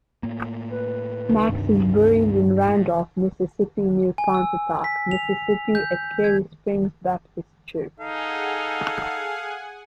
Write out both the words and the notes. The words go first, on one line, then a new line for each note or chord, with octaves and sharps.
Max is buried in Randolph, Mississippi, near Pontotoc, Mississippi at Carey Springs Baptist Church.
A2 A#3
B4
C#2 C3 D#3
G2
A2
G#5
E6
B6
F7
G6
G#6
D#4 G#4 A4 F5 F#5 G#5